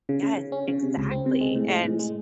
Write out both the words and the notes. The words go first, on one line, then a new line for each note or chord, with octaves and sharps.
yes, exactly, and
C#3
C#3
C#3
C#4
C#3
C3
C#2
C4
C3
G#3
A2
G#3
A2
G#3